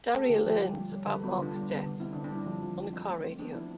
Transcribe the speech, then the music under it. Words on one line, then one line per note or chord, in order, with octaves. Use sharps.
Daria learns about Mark's death on the car radio.
A3 A4
D3 G4
F4
F3 G4
G3
G3
G3
D3 B4
A4
B3
F4
D3 D4
G3
B3
D3
C4 E4
D4
D3
D4
G3 E4
F3
F3
F3
C4
A3
C4
B3 D4
F3 E4